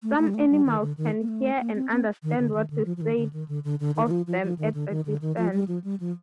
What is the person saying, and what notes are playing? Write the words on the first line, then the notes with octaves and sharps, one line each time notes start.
Some animals can hear and understand what is said of them at a distance.
A3
A3
G3
A3
G3
D#3
D3
D#3
A#3
A3
A#3
C4
C4
D#3
D3
D#3
D3
F3
F3
D#3
D3
D#3
D3
D3
D3
D#3
D#3
F3
F3
F3
D#3
D3
D#3
D3
D#3
F3
G3
F3
G3
F3